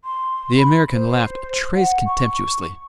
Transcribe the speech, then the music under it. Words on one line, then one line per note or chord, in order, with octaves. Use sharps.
The American laughed a trace contemptuously.
C6
B5
C5
F#5
C#6